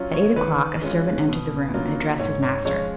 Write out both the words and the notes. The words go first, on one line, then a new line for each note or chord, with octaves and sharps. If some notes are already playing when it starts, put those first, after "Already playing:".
At eight o'clock a servant entered the room and addressed his master.
Already playing: F#3 C#4 F4
C#5
D#3 B4
G#3 C#4 F4
B2
F#3 A#3 C#4 F4
G#2 C#5
C#5
F3 G#3 C#4 F4 C#5